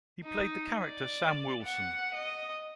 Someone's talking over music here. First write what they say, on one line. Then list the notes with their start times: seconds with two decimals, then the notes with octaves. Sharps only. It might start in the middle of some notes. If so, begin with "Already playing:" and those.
He played the character Sam Wilson.
0.24 D#4
0.85 D5
1.63 F#5
2.15 D#5